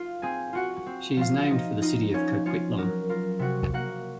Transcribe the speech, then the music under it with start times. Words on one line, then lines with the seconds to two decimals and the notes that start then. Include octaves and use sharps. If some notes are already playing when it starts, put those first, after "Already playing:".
She is named for the city of Coquitlam.
Already playing: F4 F5
0.22 C4 G#4 G#5
0.53 F4 F#4 F#5
0.86 C4
1.17 F3 F4 F5
1.50 F3 D#4 D#5
1.82 D#4 F4 D#5
2.14 F3 C#4 C#5
2.46 C#4 F4 C#5
2.78 F#3 A#4
3.09 F4 A#4
3.39 C3 F#4 F#5
3.73 A#3 F#4 F#5